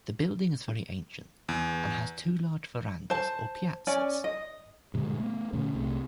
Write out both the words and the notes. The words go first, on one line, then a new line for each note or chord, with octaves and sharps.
The building is very ancient and has two large verandas or piazzas.
E2
C5 A5
C#4 D5 G#5
D#5
G2 A#2 D3 G#3
A3 B3
A#2 D3 A3 C#4
C2 C3 A3